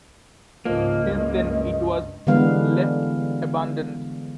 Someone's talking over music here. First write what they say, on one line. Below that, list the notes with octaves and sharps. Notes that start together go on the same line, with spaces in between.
Since then, it was left abandoned.
C#2 G#2 C#3 F3 A#3 D#5
F#1 C#2 G2
D3 E3 G3 G#3 B3 F5